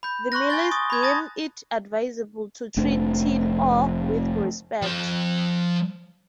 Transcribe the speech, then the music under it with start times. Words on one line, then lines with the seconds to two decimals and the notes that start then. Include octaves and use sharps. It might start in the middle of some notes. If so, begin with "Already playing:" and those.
The Malays deem it advisable to treat tin ore with respect.
0.03 B5 G6
0.32 C6 C#6 F#6 A#6
0.50 G#5 A6 G7
0.71 C#6 D#6 A6
0.90 B5 G#6
1.02 A5 D#6 A6 A#6
2.77 F1 A3 D4
4.82 F3 G5